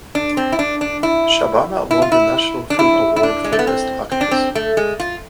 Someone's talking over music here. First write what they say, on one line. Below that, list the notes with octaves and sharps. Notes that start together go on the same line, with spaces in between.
Shabana won the National Film Award for Best Actress.
D4
C4
E4
D4
D4
E4
E4
F4
E4
D4
E4
E4
D4
G#3
A3
B3
C4
C4
D4
C4
A3
G#3
F4